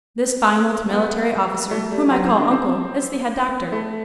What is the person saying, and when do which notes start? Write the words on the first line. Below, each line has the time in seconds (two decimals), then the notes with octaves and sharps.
This fine old military officer whom I call uncle is the head doctor.
0.91 B3
1.71 A3
1.91 G3
2.11 F#3
2.25 C4
2.38 D4
2.51 C4
3.72 A3